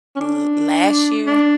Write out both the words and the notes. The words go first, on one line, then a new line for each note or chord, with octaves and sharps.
l last year
C#4
D4
D4